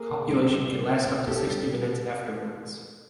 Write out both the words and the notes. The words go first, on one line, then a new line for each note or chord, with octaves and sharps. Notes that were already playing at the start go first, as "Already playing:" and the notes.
Copulation can last up to sixty minutes afterwards.
Already playing: A#3 G#4 A#4
B2
G3
G3
B2
B3
B2
B3 G4 A4
G3
B2